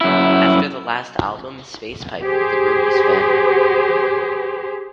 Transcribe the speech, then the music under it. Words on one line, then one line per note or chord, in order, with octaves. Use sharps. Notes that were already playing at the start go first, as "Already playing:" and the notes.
After the last album, "Space Piper", the group disbanded.
F#2 E4
G4 G#4 C5